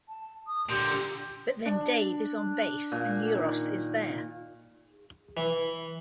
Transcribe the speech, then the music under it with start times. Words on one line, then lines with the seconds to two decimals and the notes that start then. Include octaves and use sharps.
But then Dave is on bass and Euros is there.
0.08 A5
0.47 D#6
0.70 A#2 D3 G4 C6 G6
1.65 D4
2.92 A#2
3.35 D#3
5.37 E3